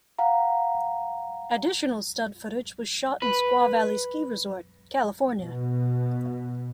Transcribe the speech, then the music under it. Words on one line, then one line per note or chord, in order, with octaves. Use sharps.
Additional stunt footage was shot in Squaw Valley Ski Resort, California.
F5 F#5 A#5
B4
B2